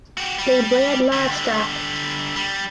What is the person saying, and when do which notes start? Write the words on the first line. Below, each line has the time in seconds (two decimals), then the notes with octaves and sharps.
They bred livestock.
0.18 F#4 G4
0.39 G3
1.12 D3 G3
2.36 G3